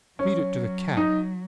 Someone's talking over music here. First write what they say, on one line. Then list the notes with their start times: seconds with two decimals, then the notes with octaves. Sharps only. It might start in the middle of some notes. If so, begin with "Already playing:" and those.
"Feed it to the cat."
0.19 F#3 C#4
0.97 D#4